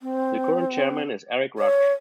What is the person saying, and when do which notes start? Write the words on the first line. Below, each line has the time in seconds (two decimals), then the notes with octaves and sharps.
The current chairman is Eric Ruch.
0.01 C4
1.58 C#5